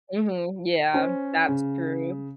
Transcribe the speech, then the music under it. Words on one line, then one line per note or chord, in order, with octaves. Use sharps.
Mhm. Yeah. That's true.
C#4 C5
C#3